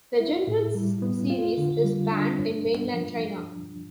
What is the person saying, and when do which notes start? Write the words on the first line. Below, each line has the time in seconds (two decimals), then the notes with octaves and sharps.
The "Generals" series is banned in mainland China.
0.20 E4
0.47 A2
0.75 G3
1.02 B3
1.30 F4
1.57 D3
1.84 G3
2.11 D4
2.39 G2
2.66 G2
2.94 F3